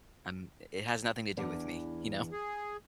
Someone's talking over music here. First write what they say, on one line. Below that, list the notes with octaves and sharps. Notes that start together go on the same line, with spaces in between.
I'm i it has nothing to do with me, you know?
E2 E3 D4
G#4